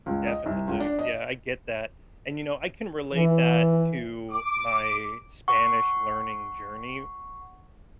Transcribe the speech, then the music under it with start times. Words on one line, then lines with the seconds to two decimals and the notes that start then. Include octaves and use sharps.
Definitely. Yeah, I get that. And, you know, I can relate that to my Spanish learning journey
0.06 C#2
0.27 D#5
0.46 C2
0.67 C#2
0.80 D4
0.99 D#5
3.15 E3
4.32 D6
5.48 F#5 C#6